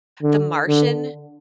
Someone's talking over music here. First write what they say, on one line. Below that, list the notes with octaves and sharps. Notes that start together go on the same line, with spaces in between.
The Martian,
D3
D3